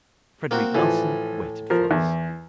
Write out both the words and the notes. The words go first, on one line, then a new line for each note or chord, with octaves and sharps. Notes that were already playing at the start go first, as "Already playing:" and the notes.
Frederic Larsan waited for us.
A#3 C4 F#4
A2 E3 F3
F3 A#4
E2